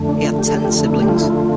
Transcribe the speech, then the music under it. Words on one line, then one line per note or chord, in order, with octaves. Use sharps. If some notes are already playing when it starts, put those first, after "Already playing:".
He had ten siblings.
Already playing: F2 D3 A3
D4
F4
G4
A4
G4
G4
F4
E4
G4
F4
E4
F4